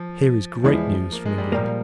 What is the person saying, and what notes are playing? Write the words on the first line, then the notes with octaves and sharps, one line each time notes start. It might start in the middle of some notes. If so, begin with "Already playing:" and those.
Here is great news from England.
Already playing: F3
E2 E3 F3 G#3 E4
A#3
G#3
G3
A#2 F3 G3 A#3